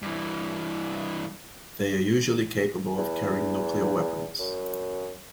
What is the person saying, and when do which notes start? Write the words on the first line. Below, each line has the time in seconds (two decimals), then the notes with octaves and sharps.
They are usually capable of carrying nuclear weapons.
0.02 G2 E3
2.98 E2
4.39 F#2